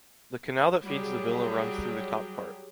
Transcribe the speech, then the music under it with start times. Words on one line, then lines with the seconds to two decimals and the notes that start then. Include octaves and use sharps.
The canal that feeds the villa runs through the top part.
0.85 F#3 G3 G4 G#4